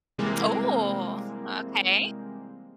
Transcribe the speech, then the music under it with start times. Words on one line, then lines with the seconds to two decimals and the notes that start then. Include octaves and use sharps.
Ooh, okay.
0.18 C3 E3 G3 G#3 A#3 C4